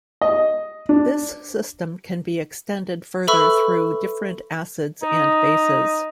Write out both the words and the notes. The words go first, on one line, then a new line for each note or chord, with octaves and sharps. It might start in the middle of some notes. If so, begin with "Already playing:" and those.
This system can be extended further through different acids and bases.
D#5
D4
A4 B4 E5 B5 C#6 E6
D#4